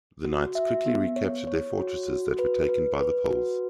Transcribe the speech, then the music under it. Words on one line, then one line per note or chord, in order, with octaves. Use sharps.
The Knights quickly recaptured their fortresses that were taken by the Poles.
F#4
E5
B3
C#5
C#5
F#4
F#4
B4
B4
B4
F#4